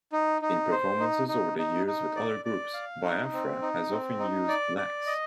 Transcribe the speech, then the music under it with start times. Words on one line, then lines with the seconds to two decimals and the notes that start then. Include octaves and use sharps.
In performances over the years with other groups, Biafra has often used "blacks".
0.12 D#4
0.42 D#4
0.71 C5
1.00 D#4
1.28 D#4
1.58 D#4
1.86 D#4
2.16 D5
2.45 D5
2.74 F5
3.03 D#4
3.33 C4
3.62 D#4
3.90 C4
4.19 D#4
4.48 D5
4.78 D5
5.07 D#5